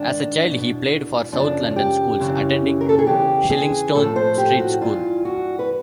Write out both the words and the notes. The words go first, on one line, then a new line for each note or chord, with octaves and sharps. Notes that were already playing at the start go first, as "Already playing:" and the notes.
As a child he played for South London Schools, attending Shillingstone Street School.
Already playing: G#2 D#3 D4
E2 B2
F#2 C#3 F3 D4
G4
F#2 C#3 E3
A#4
A4
G#4
E2 C#3 E3 G4
G#4
A2 F3 A4
C5
G4
F#4
G2 E3 F4
F#4
B4